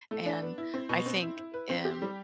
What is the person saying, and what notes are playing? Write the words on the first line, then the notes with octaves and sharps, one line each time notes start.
and I think, um,
A3
D4
B3
E4
C4
B2
C4
E4
E4
B4
C4
G4
G3